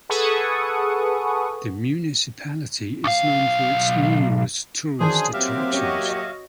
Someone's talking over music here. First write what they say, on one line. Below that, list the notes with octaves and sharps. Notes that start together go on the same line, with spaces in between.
The municipality is known for its numerous tourist attractions.
G#4 A4 B4 F#5 C#6 D#6
B1 F5
F#2 D#3 E3 D4 G#4 C5
F#3 A#3 C4 G4 E5 F5
C#4 F#4 C#5 D#5